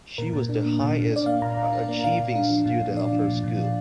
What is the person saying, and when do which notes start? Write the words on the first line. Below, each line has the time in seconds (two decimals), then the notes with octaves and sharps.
She was the highest achieving student of her school.
0.18 A#2 A#4
0.33 A#2
0.49 D4
0.65 A#3
0.80 A#2
0.95 A#2
1.11 D4
1.16 D5
1.26 A#3 F5
1.42 A#2 A#5
1.57 A#2
1.73 D4
1.88 A#3
2.04 A#2 F5
2.19 A#2
2.35 D4
2.50 F3
2.66 A#2
2.81 A#2
2.97 D4 D5
3.13 F3
3.28 A#2
3.44 A#2
3.59 D4